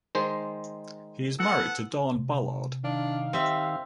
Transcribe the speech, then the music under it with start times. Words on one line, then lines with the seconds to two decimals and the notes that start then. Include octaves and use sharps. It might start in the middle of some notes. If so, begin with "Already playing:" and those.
He is married to Dahn Ballard.
0.15 D#3 G#3 C5
1.39 B3 A4 F#5
2.15 C3
2.84 D#3 D4 F5
3.33 G3 C4 E5